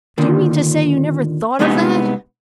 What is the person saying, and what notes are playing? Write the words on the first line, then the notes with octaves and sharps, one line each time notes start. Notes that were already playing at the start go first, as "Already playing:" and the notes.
Do you mean to say you never thought of that?
D#2 A#2 D3 D#3
C2 G#3 B3 D#4 G4 G#5